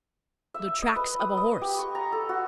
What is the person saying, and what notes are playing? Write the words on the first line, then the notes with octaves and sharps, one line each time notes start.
"The tracks of a horse."
E5
D#5
B4
D#6
D#5
G4
C#6
A#5
A4
F#4